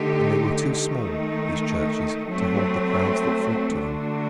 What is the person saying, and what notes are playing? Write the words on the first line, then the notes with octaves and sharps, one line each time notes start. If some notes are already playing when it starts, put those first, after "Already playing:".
And they were too small, these churches, to hold the crowds that flocked to them.
Already playing: D3 A3 D#4 G4
D#3 A3 D#4
F#3 A3 C4
D3 A3 D4 F#4